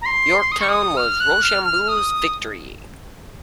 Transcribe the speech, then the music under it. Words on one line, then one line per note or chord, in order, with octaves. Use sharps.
Yorktown was Rochambeau's victory.
A#5
C6
D#6
C#6
D#6
F6
F#6
F6
F6
D#6